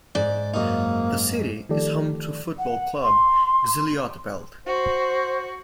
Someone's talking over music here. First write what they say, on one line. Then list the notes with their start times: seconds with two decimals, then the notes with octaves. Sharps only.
The city is home to football club Xilotepelt.
0.15 G#2 D5
0.54 F#2 A#3 D#4
1.69 D#3 F3 A3 G4 A4 D5
2.59 F#5
3.03 C6
4.66 F#4 C5